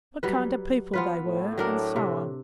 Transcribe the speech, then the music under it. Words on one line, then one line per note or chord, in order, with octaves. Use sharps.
What kind of people they were? and so on.
F#3 G3 B4
F3 F#3 B3 F4 B4
A2
F#3 D4 A#4
C3